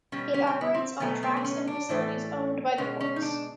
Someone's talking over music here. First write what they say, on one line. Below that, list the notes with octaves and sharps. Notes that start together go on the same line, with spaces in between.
It operates on tracks and facilities owned by the ports.
B2 G3 C#4
C#4
C4
B3
C4
B2 F#3 A3 B3
B3
C4
C#4
D4
A2 E3 A3
B2 G#3 C#4
C#4
D#4
D4